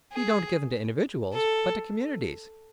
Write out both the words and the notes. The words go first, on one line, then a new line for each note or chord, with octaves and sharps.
"He don't give 'em to individuals, but to communities."
G#4
A4